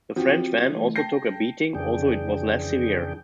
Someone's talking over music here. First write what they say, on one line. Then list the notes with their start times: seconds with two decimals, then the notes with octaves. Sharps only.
The French van also took a beating, although it was less severe.
0.16 F3 C4 F#4 G4
0.69 E3 A3
0.96 G5 A5 G6 A#6 C7
1.75 F2 C#3 E3 D4 G#4 G5